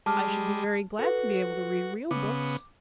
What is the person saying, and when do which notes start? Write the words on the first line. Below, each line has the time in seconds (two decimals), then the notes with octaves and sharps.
'I should be very glad to be able to read real books.
0.06 G3 G#3 A5 D6 F6
0.99 F#4 A4 B4
2.11 C#3 B3 D6